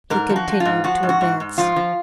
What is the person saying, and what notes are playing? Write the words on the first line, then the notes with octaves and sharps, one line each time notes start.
He continued to advance.
G#2 A#4
F3
F#4
F3
F4
G#2
F3 F#4
G#2
F#4
G#2
G#2
F3 F4
F3